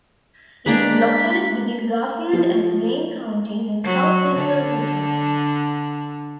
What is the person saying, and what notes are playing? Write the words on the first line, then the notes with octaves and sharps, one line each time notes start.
It is located within Garfield and Wayne counties in south-central Utah.
G#3 A#3 D4 B6
F3
F#3
D3